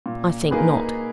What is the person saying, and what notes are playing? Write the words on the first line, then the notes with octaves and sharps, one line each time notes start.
I think not.
A#2
A#3 D#4 G#4 B4